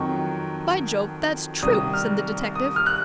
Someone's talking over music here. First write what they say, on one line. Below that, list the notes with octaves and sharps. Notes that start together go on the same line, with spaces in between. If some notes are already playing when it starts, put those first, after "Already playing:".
"By Jove! that's true," said the detective.
Already playing: F2 D#3 F#3 C#6
C2 C3 D#3 D#6
F6
D#6
F6
F#6